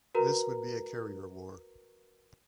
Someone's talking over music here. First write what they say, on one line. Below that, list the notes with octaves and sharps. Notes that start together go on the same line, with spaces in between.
This would be a carrier war.
F#4 A#4 B4 A#5